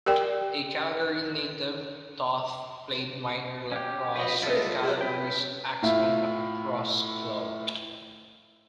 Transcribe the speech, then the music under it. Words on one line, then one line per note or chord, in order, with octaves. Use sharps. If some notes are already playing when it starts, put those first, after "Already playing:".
A Calgary native, Toth played minor lacrosse with Calgary's Axemen Lacrosse Club.
G4 A#4 D5 G5
C#4 G4
B4 D#5
E4 F4 A4 D#5 E5
C#4 B4 G5
A2 F4 E5